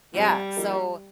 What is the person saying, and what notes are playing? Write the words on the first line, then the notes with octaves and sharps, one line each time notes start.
Yeah. So
A2 F3 G3 C4
F3 A#3 D#4 G4